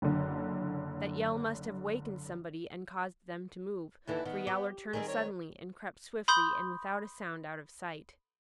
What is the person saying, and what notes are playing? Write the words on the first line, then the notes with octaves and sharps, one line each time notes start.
That yell must have wakened somebody and caused them to move, for Yowler turned suddenly and crept swiftly and without a sound out of sight.
F#1 D3
D#2 D3 E3 E4
D#3 B3
G4
D#3 G3 C4 G#4
C#5
B5 C6 D#6 G6